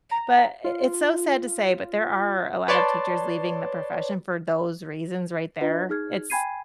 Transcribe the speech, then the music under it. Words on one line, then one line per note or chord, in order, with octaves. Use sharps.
but it it's so sad to say, but there are a lot of teachers leaving the profession for those reasons right there, it's,
A#5
F4
B4 C#5 D5 A5 C6
D4 F4 B4 D#5
D#4 G#4 F6 G#6
G5 G#5 B5 G#6 C7 D#7